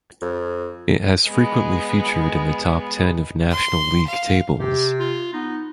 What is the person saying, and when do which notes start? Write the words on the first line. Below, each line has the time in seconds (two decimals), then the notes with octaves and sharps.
It has frequently featured in the top ten of national league tables.
0.22 F2
1.26 G#3 B3
3.51 C6
4.07 F5
4.59 C3 G4
4.99 F4
5.34 B3 D#4